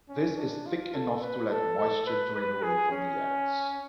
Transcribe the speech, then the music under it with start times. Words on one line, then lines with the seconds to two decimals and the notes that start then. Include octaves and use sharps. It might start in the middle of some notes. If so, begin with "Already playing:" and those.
This is thick enough to let moisture drain away from the eggs.
0.09 C#4
0.38 D4
0.66 F4
0.94 A4
1.22 B4
1.50 A4
1.78 A4
2.06 B4
2.35 B4
2.63 G#4
2.91 C#4